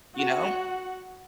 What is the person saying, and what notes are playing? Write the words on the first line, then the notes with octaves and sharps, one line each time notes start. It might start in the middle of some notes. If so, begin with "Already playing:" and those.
you know?
F#4 F#5